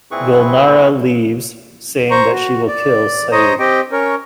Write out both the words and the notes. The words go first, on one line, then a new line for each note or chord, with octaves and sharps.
Gulnara leaves, saying that she will kill Seid.
A#2 C4 E4 G#4 B4 C#6
C5 A#5 C#6
F#4
D5
C5 C#5 D#5 A#5 D#6
C4 G4 D#5 G5
C#4 A#4 C#5